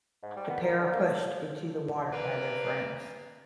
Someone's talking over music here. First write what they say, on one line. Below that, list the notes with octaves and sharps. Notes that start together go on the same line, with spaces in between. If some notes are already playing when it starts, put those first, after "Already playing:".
The pair are pushed into the water by their friends.
G#2
G3
B3
A#4
D3
A#3
A4
A#3 D4 B4